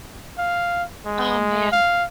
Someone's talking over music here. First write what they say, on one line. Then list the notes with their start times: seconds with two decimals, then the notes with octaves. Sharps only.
Oh, man.
0.38 F5
1.06 G#3
1.72 F5